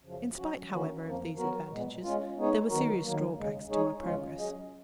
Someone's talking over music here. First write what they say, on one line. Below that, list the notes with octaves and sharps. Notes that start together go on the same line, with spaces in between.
In spite, however, of these advantages, there were serious drawbacks to my progress.
F#2 C#3 F3
F#3 C#4 F#4
D#3 A#3 C#4 F#4
F2 F3 A#3
F#3 B3 F#4 A#4
A#2 G#3 B3
G#3 C#4 F4
G#3 B3 D#4 G#4 C#5
D#3 F#3 B3 F#4 A#4
D#3 F#3 A#3
D#2 C#3 G#3
G#3 D#4 G#4 C#5
D#2 C#3 G#3 C#4 F4
F#3 C#4 G#4 D#5